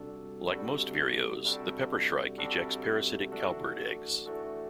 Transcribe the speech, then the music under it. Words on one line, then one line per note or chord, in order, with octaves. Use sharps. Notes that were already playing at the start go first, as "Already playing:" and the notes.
Like most vireos, the peppershrike ejects parasitic cowbird eggs.
Already playing: C3 G3 D4 F#4 A4
C3 G3 D4 F#4 A4
C3 G3 D4 F#4 A4
C3 G3 D4 F#4 A4
E3 A3 D4 F#4 A4
E3 A3 D4 F#4 A4